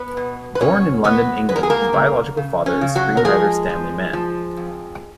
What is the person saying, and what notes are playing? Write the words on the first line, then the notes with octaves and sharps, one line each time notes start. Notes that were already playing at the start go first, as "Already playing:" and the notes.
Born in London, England, his biological father is screenwriter Stanley Mann.
Already playing: B3 B4
B2
B4
B2 C#4 C#5
F#3 B3 B4
G#3 B4
A#4
G#4
A#3 A#4
C#3
C#3
C#4
C#3
F#3 F#4
A#4
F3 G#3 G#4
F3
F3
F2